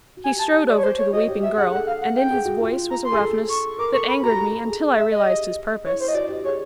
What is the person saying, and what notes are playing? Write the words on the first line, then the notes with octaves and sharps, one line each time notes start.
He strode over to the weeping girl, and in his voice was a roughness that angered me until I realized his purpose.
F#4
G4 G#5
A5
G4
D5
C#5
C5
C#5
F#4 D#5
G4
G4 E5
G#4 F#5
A4 F#5
F5
F#5
G5
G#4
F#4
F4
A#5
C6
G#4
A4
C#6
A#4 D6
A4 C#6
B5
F#4 A#5
G4
A4
A4
G#4
E5
D#5
G4
E4 C#5
C5
D#5
F#4 D5
G4
G#4 C#5